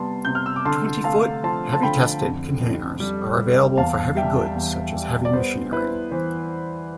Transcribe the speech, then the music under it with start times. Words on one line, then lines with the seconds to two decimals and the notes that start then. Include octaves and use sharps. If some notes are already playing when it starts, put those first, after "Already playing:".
Twenty-foot, "heavy tested" containers are available for heavy goods such as heavy machinery.
Already playing: C3 G3 B3 A5 C6
0.25 C3 G6
0.35 F6
0.46 E6
0.56 D6
0.65 D3 A5 C6
1.04 A3 F5 A5
1.44 F3 A5 C6
1.73 A5
1.83 D3 G5 B5
2.21 F2
2.61 F2
3.00 G3
3.38 G3
3.77 E2 F5 A5
4.17 G3 E5 G5
4.56 E2
4.94 G3
5.25 D5
5.33 B3 C5
5.72 E4 B4
6.11 E3 C5